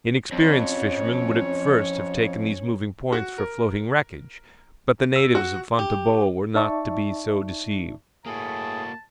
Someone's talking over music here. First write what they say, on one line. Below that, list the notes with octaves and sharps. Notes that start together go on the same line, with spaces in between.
Inexperienced fishermen would at first have taken these moving points for floating wreckage, but the natives of Fonteboa were not to be so deceived.
F2 C#4 C#5
F#4
A#4
E6
F#4
G4
D#4 D5 E5 A5 C#6
A2 A#3 F#4 G#4 A5